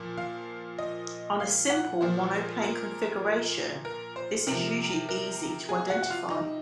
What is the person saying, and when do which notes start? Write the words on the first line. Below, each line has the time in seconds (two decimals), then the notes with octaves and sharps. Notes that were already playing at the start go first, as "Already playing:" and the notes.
On a simple monoplane configuration, this is usually easy to identify.
Already playing: A#2 F3
0.17 F5
0.78 D#5
1.40 F5
1.70 F#5
2.01 A#2 F3 C5
2.63 A#4
3.85 A#4
4.16 C5
4.47 C3 F3 A#4
5.09 A#4
5.69 G#4
5.90 F#4
6.03 F#4
6.10 F4
6.30 D#4